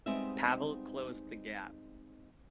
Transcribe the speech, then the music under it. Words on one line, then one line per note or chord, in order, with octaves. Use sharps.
Pavel closed the gap.
G3 G#3 B3 C4 D#4 E5